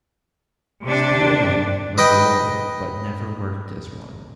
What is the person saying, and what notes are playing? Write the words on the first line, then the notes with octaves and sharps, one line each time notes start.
Spielmann was a lawyer but never worked as one.
C3 D4
B4 D#5 G5